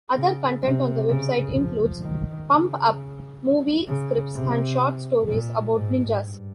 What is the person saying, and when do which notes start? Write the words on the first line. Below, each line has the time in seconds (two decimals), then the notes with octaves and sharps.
Other content on the website includes "pump-up" movie scripts and short stories about ninjas.
0.15 C#3
0.62 C3
1.09 C#3
1.55 F3
2.01 D#3
2.48 C#3
3.87 C#3
4.34 C3
5.27 A#2
5.74 G#2
6.21 G2